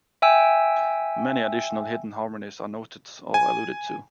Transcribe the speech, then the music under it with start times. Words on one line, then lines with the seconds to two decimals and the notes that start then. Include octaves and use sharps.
Many additional hidden harmonies are noted or alluded to.
0.22 E5 G5 G#5 E6
3.34 G#5